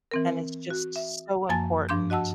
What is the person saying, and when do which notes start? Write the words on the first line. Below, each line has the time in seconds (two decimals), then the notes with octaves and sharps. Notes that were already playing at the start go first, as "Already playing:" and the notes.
and it's just so important.
0.11 E3 C4 A#4
0.70 F#4
0.96 E5
1.49 F#2 F3 A#3 G#5 A5 A6
1.89 G2 F3 D4 C6 G6
2.10 F#4 D#5 F#5 A5 E6